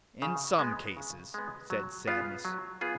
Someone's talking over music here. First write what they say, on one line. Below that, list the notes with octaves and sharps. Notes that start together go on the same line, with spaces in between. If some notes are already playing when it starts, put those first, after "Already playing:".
"In some cases," said Sadness.
C#3
G#3 B3
C#3
G#3 B3
F#3
B3 F4 G#4
F#3
B3 F4 G#4